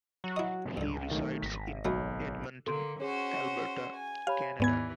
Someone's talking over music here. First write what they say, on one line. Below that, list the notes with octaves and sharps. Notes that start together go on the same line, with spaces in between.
He resides in Edmonton, Alberta, Canada.
F#3 F#4
E4 D#5
C#2 G2 D3
B1 D#3 A3
G#1 A#6 B6
B1 F#3 G#3 A3 B5
D3 A#3 A4 C6 D7
C#4 F#4 G#4 C5 C#5
G#5
G4 C#5 F5 B5
D#2 G#2 E3 B3 D5 G#5 B5 G#6